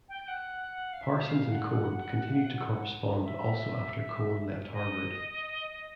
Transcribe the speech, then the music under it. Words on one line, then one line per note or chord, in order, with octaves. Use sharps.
Parsons and Cohen continued to correspond also after Cohen left Harvard.
G5
F#5
F5
E5
F5
F#5
E5
D#5